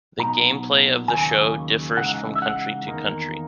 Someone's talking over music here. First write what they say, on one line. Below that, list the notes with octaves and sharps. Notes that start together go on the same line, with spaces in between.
The gameplay of the show differs from country to country.
B2 F#3 B3 D#4 A#5
D#2 C#3 F#3 A#3 C#4 G#5
C#3 E3 G#3 D#4 F#5
E5
F#5
E2 D#3 A#3 D#4